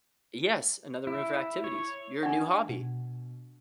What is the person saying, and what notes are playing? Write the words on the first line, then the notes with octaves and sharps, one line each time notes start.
Yes. Another room for activities, your new hobby.
E4
C#5
D4 F#5
B2